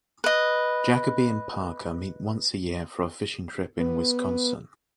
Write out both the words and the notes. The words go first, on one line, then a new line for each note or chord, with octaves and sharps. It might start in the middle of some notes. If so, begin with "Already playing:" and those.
Jacoby and Parker meet once a year for a fishing trip in Wisconsin.
B4 D#5
B3